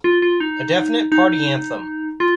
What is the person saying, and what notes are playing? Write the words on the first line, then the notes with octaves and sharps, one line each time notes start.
A definite party anthem.
F4
F4
D#4
D#4
F4